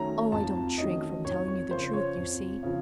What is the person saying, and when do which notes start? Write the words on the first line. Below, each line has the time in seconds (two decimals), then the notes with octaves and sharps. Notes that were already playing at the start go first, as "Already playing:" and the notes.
Oh, I don't shrink from telling you the truth, you see.
Already playing: D#3 F#3 A3 C#4 A#5
0.32 F2 A5
0.78 D#3 F#3 A3 C#4 D#5
1.25 F2 C#5
1.48 C#5
1.70 C#3 F3 C5
1.93 C#5
2.17 F2
2.63 C#3 F3